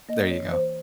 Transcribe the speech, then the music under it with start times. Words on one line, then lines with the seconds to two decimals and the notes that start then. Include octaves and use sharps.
There you go.
0.09 A#3 D#5
0.31 C#5
0.41 E3
0.52 C5